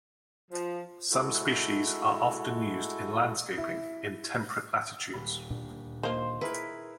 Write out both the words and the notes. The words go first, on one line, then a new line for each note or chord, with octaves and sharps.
Some species are often used in landscaping in temperate latitudes.
F3
G#3 E4 F#4 A4
E4
D#1 B5
D2 A#2 D4
D#3 A#3 F4 C5
E4 G#4 A#4 B4